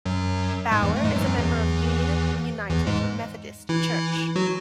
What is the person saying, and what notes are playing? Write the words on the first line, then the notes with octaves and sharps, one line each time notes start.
Bauer is a member of Union United Methodist Church.
F#2 F#3
G#2 G#3
E2 E3
A3
G#2 G#3
F#2 F#3
E3
F#2 F#3
E2 E3
E2 E3
G#2 G#3
E3 E4
F#3 F#4